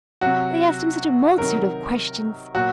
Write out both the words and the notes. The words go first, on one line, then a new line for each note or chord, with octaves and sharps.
They asked him such a multitude of questions!
C3 F#3 F#4
C3 D#3 F#3 A#4
A#2 F#3 F#4